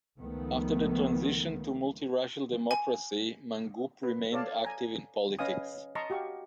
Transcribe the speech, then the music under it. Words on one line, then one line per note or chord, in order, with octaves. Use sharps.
After the transition to multiracial democracy, Mangope remained active in politics.
C#2 D#3 F3 A3 B3
G#5
B4
A4 C#5 D5 F5 A5
G#5 A#5
C#4 B4 D#5 F5 G#5 D#6
D#5 A5 A#5 C6 C#6
F#4 G4 F5 C#6